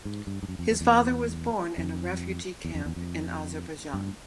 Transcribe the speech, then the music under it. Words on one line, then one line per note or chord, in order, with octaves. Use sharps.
His father was born in a refugee camp in Azerbaijan.
G#2
G2
G2
F#2
F2
E2
E2
F2
E2
F2
E2
F2
G2